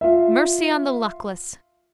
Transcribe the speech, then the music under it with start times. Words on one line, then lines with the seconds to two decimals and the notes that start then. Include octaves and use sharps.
Mercy on the luckless!
0.01 F4 E5